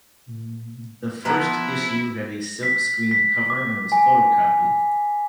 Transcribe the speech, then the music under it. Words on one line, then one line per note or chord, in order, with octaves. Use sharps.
The first issue had a silk-screened cover and was photocopied.
F3 B3 E4 A#5
B6
B6
D6
G#5